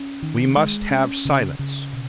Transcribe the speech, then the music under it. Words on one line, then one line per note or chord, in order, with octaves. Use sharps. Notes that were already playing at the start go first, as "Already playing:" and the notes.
"We must have silence!"
Already playing: C#4
D#3
G#3
C#4
C#3
C#3
B2